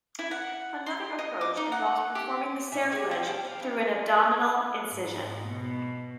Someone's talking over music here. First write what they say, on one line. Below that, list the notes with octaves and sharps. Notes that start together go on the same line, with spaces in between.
Another approach involves performing the cerclage through an abdominal incision.
E4
F#5
C6
D#5
D6
D#4
F#5
G4
A#2 E5 G#5
A3 D4 G4 G#4
C4 F#5 G#5
G3 B3 D4
C5 F5
B3 D#4
G#2
B2